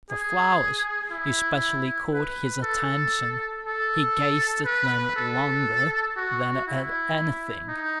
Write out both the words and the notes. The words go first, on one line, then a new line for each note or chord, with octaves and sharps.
The flowers especially caught his attention; he gazed at them longer than at anything.
G#4
E4
B4
A4
A4
B4
A4
F#4
E4
D#4